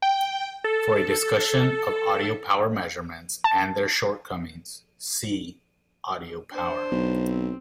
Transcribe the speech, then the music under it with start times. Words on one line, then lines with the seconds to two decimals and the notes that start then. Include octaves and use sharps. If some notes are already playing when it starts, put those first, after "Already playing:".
For a discussion of audio power measurements and their shortcomings, see Audio power.
0.02 G5
0.64 A4
3.44 A5
6.52 D4 C5
6.92 B1
7.28 C4